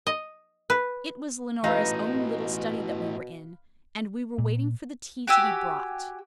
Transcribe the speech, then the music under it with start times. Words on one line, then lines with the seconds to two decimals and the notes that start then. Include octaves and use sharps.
It was Leonora's own little study that we were in and we were waiting for the tea to be brought.
0.07 D#5
0.70 B4
1.64 B2 E3 A3 D#4 B4 F5
4.38 A#2
5.27 F#4 G4 G#5 E6